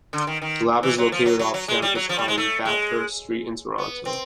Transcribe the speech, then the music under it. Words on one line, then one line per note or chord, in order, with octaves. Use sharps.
The lab is located off-campus, on Bathurst Street in Toronto.
D3
D#3
D#3
E3
F#3
F3
F#3
F#3
F#3
G#3
G3
F#3
F3
G3
G#3
A3
G#3
B3
C4